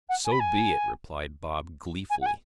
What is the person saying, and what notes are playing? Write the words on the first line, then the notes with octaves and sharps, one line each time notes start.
"So be it," replied Bob gleefully.
F#5
G#5
B5
G#5
G#5
F#5
G#5